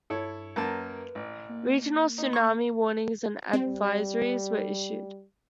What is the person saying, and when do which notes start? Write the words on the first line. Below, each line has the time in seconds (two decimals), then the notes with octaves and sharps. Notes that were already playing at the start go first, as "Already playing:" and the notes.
Regional tsunami warnings and advisories were issued.
0.10 G2 E4 A4 C#5
0.56 F#2 A#3 B4 A5
1.15 A1
1.49 A#3
2.18 D#4
2.33 C#6
3.53 G3 C4